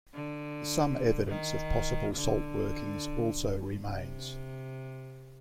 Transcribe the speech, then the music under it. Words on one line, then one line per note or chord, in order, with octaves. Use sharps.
Some evidence of possible salt workings also remains.
D3
D#3
D3
C3